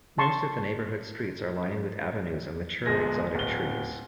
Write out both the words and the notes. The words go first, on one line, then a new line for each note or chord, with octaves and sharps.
Most of the neighbourhood's streets are lined with avenues of mature exotic trees.
A5 C6 C#6
G1 G#3 A#6
D1 G7